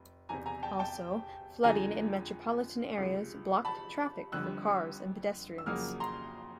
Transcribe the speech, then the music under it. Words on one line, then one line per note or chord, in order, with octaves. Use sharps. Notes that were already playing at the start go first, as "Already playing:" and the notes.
Also, flooding in metropolitan areas blocked traffic for cars and pedestrians.
Already playing: F1
E1 E2 C3 G#5 A#5
G#5 A#5
G5 A5
G5 A5
F2 D3 F3 G#3 G#5 A#5
C#2 C3 F3 G#3
A5 B5
F1 F2 D3 G3 E6 F#6
E6
F2 C#3 F#3 A#3 D#6 F6
A#5 C6